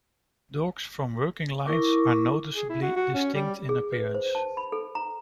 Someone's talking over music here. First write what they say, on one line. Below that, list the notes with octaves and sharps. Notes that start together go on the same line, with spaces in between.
Dogs from working lines are noticeably distinct in appearance.
E4 A#4 C#6 D6
G#4
E4
F#4
F#4
C#4
G3
G#4
B4
C5
A5
B5
A4
A#5